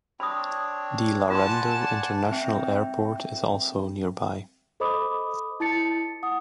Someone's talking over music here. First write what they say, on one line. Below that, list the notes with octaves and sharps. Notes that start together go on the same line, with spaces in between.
The Laredo International Airport is also nearby.
C4 D4 C#5 B5 D#6
F4 D5 F#5 G#5 A5 C6
C4 E5 G5
A4 C5 D#5 B5 D6 D#6
E4 A5 A6 C#7
F#5 D#6